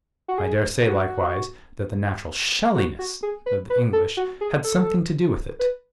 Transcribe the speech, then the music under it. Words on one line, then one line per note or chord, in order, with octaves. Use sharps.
I daresay, likewise, that the natural SHELLINESS of the English had something to do with it.
F#4
G#4
F#4
F#4
F#4
G#4
B4
B4
A4
F#4
G#4
A4
B4